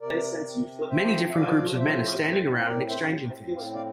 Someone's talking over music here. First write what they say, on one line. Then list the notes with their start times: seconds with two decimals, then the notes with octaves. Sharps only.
Many different groups of men are standing around and exchanging things.
0.01 C3 A#4 D5
0.46 C4
0.90 F3 C5 E5
1.29 E5
1.34 F3 D5 F5
1.74 D5
1.79 A2 C5 E5
2.23 C4
2.59 C5
2.67 A2 A#4 D5
2.89 C5 E5
3.12 C4
3.56 A2 F5
3.74 D5 F5